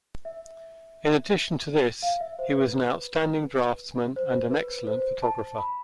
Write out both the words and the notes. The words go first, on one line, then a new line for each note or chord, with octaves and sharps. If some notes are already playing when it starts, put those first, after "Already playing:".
In addition to this, he was an outstanding draftsman and an excellent photographer.
E5
F5
E5
C5
B4
C5
B4
C5
A5
B5